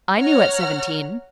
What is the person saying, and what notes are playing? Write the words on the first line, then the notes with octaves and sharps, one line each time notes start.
"I knew at seventeen."
C#5 F#5 A#5 F6